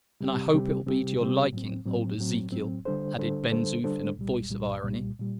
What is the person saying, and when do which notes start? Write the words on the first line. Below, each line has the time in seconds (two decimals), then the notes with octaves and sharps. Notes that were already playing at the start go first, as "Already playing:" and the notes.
"And I hope it will be to your liking, old Ezekiel!" added Ben Zoof in a voice of irony.
0.21 C3 G3 C4 G4
0.53 C3 G3 C4 G4
0.87 C3 G3 C4 G4
1.19 C3 G3 C4 G4
1.53 A2 F#3 C4
1.85 A2 F#3 C4
2.18 A2 F#3 C4
2.52 A2 F#3 C4
2.85 D3 G3 D4 A4 C5
3.18 D3 G3 D4 A4 C5
3.51 D3 G3 D4 A4 C5
3.84 D3 G3 D4 A4 C5
4.17 C2 A#2 G3
4.50 C2 A#2 G3
4.83 C2 A#2 G3
5.19 A#2 G3